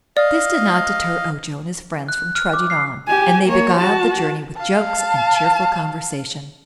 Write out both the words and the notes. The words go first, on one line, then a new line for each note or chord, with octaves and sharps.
But this did not deter Ojo and his friends from trudging on, and they beguiled the journey with jokes and cheerful conversation.
D5 D#5 F5
F#6
F6
D6
C7
G4 G#5
A#3 C#5
F#4 A5
F5 A5